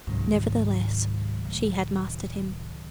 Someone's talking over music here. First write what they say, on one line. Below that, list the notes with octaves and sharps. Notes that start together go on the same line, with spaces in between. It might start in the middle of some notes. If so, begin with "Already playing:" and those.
Nevertheless she had mastered him.
C#2 G#2 C3 D#3 F#3 C#4
A2